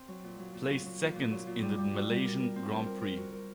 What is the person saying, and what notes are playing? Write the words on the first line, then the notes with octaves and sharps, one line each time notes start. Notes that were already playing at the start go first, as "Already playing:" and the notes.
Placed second in the Malaysian Grand Prix.
Already playing: C4
F#3
A#2
F#3
A#2
F#3
F#3
A#2
A#2
F#3
A#2
G3
G3
F#4
G3
A#4
A#4
C4
A#4
A#4
A#4
F#4
A#4